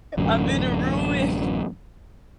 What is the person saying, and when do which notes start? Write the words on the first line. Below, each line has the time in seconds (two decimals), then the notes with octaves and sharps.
I'm in a ruin.
0.17 A1 F#2 D3